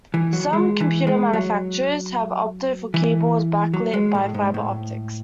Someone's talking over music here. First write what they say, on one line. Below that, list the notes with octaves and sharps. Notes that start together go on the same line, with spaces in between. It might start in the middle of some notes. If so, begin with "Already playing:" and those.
Some computer manufacturers have opted for keyboards back-lit by fiber-optics.
E3
F#3
G#3
E3
G#3
F#3
E3
F#3
G#3
A2
G#2
A2